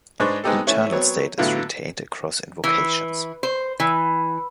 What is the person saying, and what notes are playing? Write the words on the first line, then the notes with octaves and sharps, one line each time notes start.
The internal state is retained across invocations.
G#2 G#3 D4 B4 C5 C#6
G#3 B3 C4 D#4 G4 A4
E3 A3 C#4 C#5 E5
F#3 B3 C4 C#5
A2 D3 F#3 B3 F4
E3
C5
E3